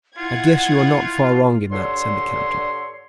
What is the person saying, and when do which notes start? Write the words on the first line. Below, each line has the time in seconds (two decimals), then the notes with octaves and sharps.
"I guess you are not far wrong in that," said the captain.
0.18 E4 F4 F#5 G#6
1.72 G2 D3 C#5 C6